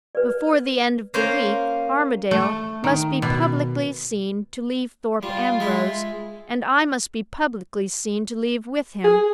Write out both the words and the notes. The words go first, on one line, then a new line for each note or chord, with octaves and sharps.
Before the end of the week Armadale must be publicly seen to leave Thorpe Ambrose; and I must be publicly seen to leave with him.
B4 D5
A#3 C#4 C5
A3
D#3
B2
G3 F4
G#3 E4
G#4